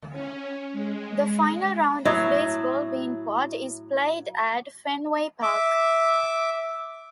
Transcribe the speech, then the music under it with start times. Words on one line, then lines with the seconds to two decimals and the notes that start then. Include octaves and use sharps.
The final round of the baseball Beanpot is played at Fenway Park.
0.12 C#4
0.72 G#3
2.05 A2 F#3 E4
5.42 E5 D6